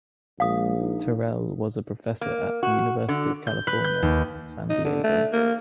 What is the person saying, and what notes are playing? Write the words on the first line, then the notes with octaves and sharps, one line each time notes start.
Terrell was a professor at the University of California, San Diego.
A#1 G#3 F5 D#6
D#4
A#3
F#4
D3
G6
B4
G6
D#2
D#4
D3
A3
A#3